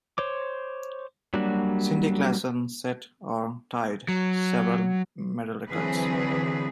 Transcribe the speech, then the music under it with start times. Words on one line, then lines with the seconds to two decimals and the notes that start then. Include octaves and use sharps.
Cindy Klassen set or tied several medal records.
0.18 C5 C#5 D6
1.34 F#3 G3 A#3 D4 F#4
4.09 F#3
5.70 D3 E3 F#3 C4 G#4 B4